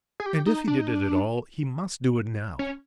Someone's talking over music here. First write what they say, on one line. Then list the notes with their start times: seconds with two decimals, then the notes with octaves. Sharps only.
And if he did it at all, he must do it now.
0.20 G#4
0.26 G4
0.47 D#4
0.68 D4
0.79 D#4
0.88 D4
2.59 C#4